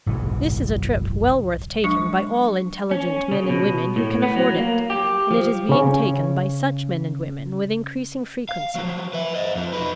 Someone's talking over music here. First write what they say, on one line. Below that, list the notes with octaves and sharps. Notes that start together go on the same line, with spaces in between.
This is a trip well worth taking by all intelligent men and women who can afford it; and it is being taken by such men and women with increasing frequency.
F#1 B1 G#2 E3
F#3 G#3 D4 C#6
C#4
C#3
B2
A2
B3
F#3
A#3
G4
F3
C#3 C#4
F5
F3 F#3
B4 E5
C5 D#5
F2 F3
D#4 B4